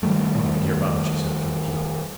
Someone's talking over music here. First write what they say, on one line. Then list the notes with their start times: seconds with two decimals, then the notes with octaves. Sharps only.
'Bob, dear Bob!' she said, through the keyhole.
0.03 D#3 E3 G3 A3